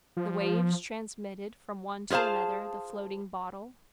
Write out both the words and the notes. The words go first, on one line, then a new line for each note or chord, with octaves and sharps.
The waves transmitted from one to another the floating bottle.
F3
F4 G#4 C5 F5 A5